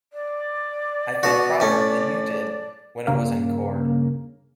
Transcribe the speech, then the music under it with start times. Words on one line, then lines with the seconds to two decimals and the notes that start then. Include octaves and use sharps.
I felt prouder than you did when it was encored.
0.13 D5
1.23 B2 F#4
1.60 A2 C#4
3.07 G2 C#3 A#3